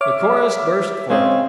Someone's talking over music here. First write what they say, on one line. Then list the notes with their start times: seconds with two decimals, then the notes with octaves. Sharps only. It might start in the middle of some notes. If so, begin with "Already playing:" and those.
The chorus burst forth.
0.01 C#5 E5 D6 F6
1.10 C#3 G#3 C4